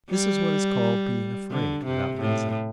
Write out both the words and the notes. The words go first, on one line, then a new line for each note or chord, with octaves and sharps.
This is what is called being afraid without reason.
G3
D3
C3
A2